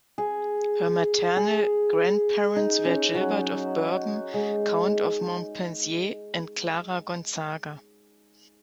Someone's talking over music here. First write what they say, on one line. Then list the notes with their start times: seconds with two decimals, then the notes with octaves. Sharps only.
Her maternal grandparents were Gilbert of Bourbon, Count of Montpensier, and Clara Gonzaga.
0.18 G#4
1.37 G#4
2.56 D#4
2.85 C#4
3.15 F#3
4.34 G#3